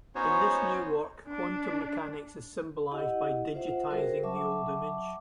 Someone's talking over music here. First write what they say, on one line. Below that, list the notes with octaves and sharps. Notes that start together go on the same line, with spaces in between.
In this new work, quantum mechanics is symbolized by "digitizing" the old image.
B3 C#4 D#4 F#4 C5 C#5
D4
E4 G4 D#5 F#5
F4 C5 E5 F#5
G3 F#4 G#4 A#4 C5
F#3 E5 A5 C#6 D6